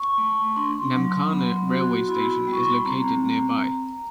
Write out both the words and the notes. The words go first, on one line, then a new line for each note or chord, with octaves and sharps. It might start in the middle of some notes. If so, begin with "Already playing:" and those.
Namkhana railway station is located nearby.
Already playing: C#6
A3
D4 C6
F#3
B3 C6
F#4
E4 B5
G3
C#6
C6
B5
C4 A#5